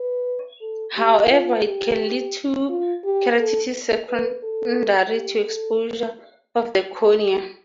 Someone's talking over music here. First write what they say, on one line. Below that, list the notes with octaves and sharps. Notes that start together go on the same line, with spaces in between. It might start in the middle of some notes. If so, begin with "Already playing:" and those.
However, it can lead to keratitis secondary to exposure of the cornea.
Already playing: B4
A4
G4
F4
G4
F4
G4
A4
B4
A4
G4
A4